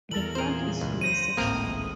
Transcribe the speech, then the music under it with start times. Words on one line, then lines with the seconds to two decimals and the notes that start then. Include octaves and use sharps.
The plant is unisexual.
0.11 E2 E3 A4 A#4 F#7
0.35 A#2 G#4 A#4 C5
0.81 C#2
1.01 C5 A#6 D#7
1.37 G#1 C#2 A2 A#3 C4 A#4 D#6